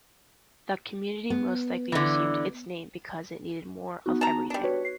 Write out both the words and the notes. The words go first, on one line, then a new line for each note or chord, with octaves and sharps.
The community most likely received its name because it needed more of everything.
B3
D3 E3
B3 D#4 F#4
A5 A#5
G3 D4
F#4 B4 C#5
C7